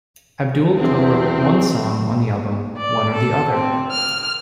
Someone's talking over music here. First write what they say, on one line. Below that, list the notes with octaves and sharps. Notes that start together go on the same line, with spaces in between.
Abdul co-wrote one song on the album, "One or the Other".
E2 C4
D5
A4
C4
F6